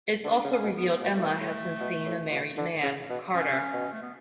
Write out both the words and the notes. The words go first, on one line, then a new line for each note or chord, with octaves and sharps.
It's also revealed Emma has been seeing a married man, Carter.
D3 D4
C#3
C#4
B2
B3
A2
B3
B2 A3
A2
B2
A2
B2
A2
B2
D3
C#3
B2
C#4
B2
A3
B3